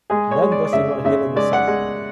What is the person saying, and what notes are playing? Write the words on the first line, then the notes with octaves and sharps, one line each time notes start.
Men resting on a hill in the sun.
G#3 G#4
C#5
G#3
D5
D5
C#3 E5
C#3 E5
G#3 D5
F#5
G#3